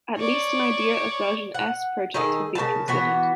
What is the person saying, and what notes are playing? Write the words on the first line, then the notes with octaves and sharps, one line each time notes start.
At least an idea of version "S" project had been considered.
C#5 D5
F#5
D#3 G#4 A4
C#3 D4 A#4 A5
E3 B3 F#4